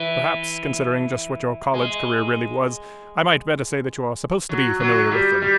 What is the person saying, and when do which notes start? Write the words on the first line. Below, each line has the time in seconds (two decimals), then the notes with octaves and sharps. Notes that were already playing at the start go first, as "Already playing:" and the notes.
"Perhaps, considering just what your college career really was, I might better say that you are supposed to be familiar with them."
Already playing: E3
1.74 G#3
4.49 F#3
4.80 F#3
5.11 G3
5.42 G3